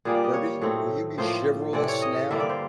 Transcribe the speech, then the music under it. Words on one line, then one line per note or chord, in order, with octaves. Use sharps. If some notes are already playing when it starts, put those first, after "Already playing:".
Bertie, will you be chivalrous now?
A#2 G3 A#3 G#4
D5
D#5
C#5
A2 F#3 A3 C4
A2 F3 A#3 C5
C3 E3 A3 C4 D5
C#5
D#5
G2 D3 G3 A#3 E5
D5
C5